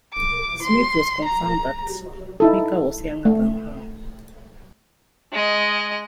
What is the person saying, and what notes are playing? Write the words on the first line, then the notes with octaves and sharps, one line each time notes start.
Smith was concerned that Meeker was younger than her.
D6
C6
A#5
D#4 E4 A4
A3
G#3 D#5